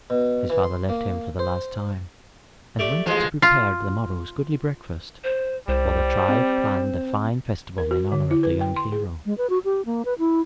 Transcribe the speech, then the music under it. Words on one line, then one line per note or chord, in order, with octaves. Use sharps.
His father left him for the last time, and went to prepare the morrow's goodly breakfast, while the tribe planned a fine festival in honor of the young hero.
B2
E3
C6
A#3
C5
A3 G4 D5
A1 F3 G#3
F4
C5
C2 G3 C5
C4
A#4
F#4
D3
E4
B4
G5
C6
G#4
G#3
B4
F#4
G4
A#3
B4
E4